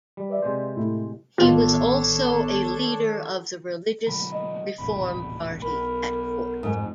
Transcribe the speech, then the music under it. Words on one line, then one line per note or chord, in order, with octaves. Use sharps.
He was also a leader of the religious reform party at court.
G3
B4 D5 E5
C3 G#3 C5
A2 A3 E4
A1 D#3 B3 D4 F4 A4 C#5
B2 D3 F#3 A#5 B5
D#5
D#1 A1 C3 B5
B1 A#4 B5
F2 G#2